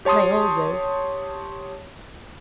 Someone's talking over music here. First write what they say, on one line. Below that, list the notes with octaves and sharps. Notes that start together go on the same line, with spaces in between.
They all do.
G4 C#5 A5 C6 D#6